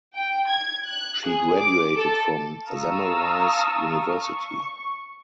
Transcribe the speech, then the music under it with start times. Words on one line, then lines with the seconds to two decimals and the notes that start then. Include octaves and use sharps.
She graduated from Semmelweis University.
0.15 G5
0.48 G#6
0.86 F#6
1.25 G#4
1.58 D6
1.96 A4
2.65 F5 A5 A#5 C#6 D#6 E6
4.20 C#6